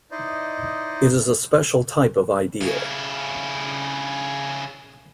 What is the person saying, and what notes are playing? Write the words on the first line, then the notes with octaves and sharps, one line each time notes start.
It is a special type of ideal.
D#4 E4 C5 D5 D#5
C#3 E4